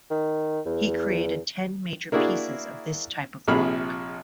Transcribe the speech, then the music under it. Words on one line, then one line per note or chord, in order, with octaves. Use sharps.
He created ten major pieces of this type of work.
D#3
E2
A#3 D4 E4 F#4 G#4
A#1 C3 F3 G#4 B5 F6